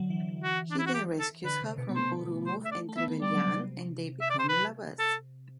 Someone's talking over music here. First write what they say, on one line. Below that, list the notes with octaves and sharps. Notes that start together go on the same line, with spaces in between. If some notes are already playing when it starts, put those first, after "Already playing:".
He then rescues her from Ourumov and Trevelyan, and they become lovers.
Already playing: D3 F#3
E3
E3
F#4
D4
E4
F#4
G4
A4
D3 B4
C3
B2
B3
A3 C5
C5
E5
D5
A3
B3 E5
B3
G3 D5
F#3
C3
E5
D5
C5
B4
A4